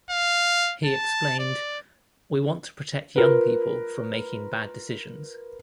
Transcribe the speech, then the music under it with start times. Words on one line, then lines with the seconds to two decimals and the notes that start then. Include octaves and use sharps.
He explained, 'We want to protect young people from making bad decisions.
0.10 F5
0.85 A5
1.39 D5
3.16 F4 A#4 B4